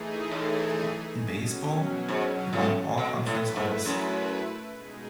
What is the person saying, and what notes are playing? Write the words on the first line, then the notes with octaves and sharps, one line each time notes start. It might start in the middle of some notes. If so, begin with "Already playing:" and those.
In baseball, he won All-Conference honors.
Already playing: E3 A3 D#4 G#4
A2
B2 F#3 C#4
G#2
A2
B2 A3 E4 B4
A2
G#2
F#2
B2 G#3 D#4 G#4